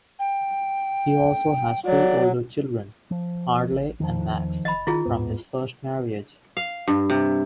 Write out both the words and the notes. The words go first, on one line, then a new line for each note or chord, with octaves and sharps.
He also has two older children, Harley and Max, from his first marriage.
G5
F#3 D5
F3
A1
E2 D#3 F3
F1 D#5 B5
D#3 E4 F4 G#4
D#2 G#2 B3
F5
G2
C3